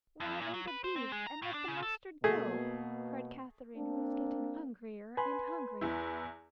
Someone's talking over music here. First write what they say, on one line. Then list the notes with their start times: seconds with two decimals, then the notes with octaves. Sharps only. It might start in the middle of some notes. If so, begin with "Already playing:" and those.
"Why, then, the beef, and let the mustard go," cried Katharine, who was getting hungrier and hungrier.
0.20 F2
0.41 A#2
0.54 F#3
0.68 B4
0.84 C5
0.96 C4
1.12 G#3
1.27 A#5
1.42 A2
1.54 D4
1.68 C#3
1.83 A4
2.24 B2 A3 A#3 G#4
3.77 A#3 C4 D4
5.17 B4 G#5 B5 C6
5.81 E2 E4